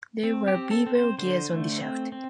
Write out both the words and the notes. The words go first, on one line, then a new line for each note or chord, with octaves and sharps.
There were bevel gears on the shaft.
C4
G4
C4
A4
C4
C5
D3 C5
A3
C4
C4